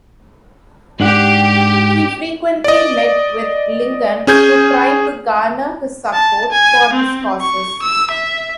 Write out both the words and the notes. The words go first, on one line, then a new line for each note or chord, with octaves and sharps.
He frequently met with Lincoln to try to garner his support for his causes.
G#2 D4 G4 F#5
D5 D#5
C#4 G#4 G6 G#6
A5
G#5
C4
C#6
E6
E5